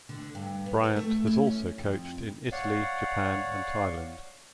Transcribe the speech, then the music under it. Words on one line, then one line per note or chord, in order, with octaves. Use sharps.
Bryant has also coached in Italy, Japan and Thailand.
D3
G2
B3
A4
A3
E4
C#4
F2
C#5 D5 F5 F#5